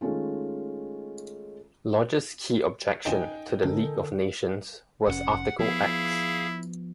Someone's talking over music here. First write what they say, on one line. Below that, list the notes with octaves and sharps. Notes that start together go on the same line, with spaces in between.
Lodge's key objection to the League of Nations was Article X.
D#3 G#3 A3 C#4 F4
F2 C#3 D#4 F4 G5 G#5
C#2 D3 A4 A#4
F1 C3 C#4 F#5
F3 B3 E4 G#4 F5